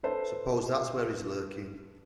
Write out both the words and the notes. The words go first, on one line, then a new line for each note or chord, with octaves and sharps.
Suppose that's where he's lurking?
A4 B4 C5 E5 A5